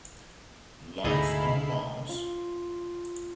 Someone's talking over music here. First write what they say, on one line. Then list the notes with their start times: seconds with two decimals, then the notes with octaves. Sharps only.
Life on Mars?
1.04 D2 G#2 D3 D#4 E4 G#4 A4 F5
2.09 F4